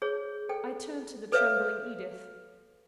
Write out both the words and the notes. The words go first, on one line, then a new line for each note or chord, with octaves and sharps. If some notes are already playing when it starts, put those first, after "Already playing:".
I turned to the trembling Edith.
G#4 C#5
A4 G5
A4 B4 C#5 E5 F5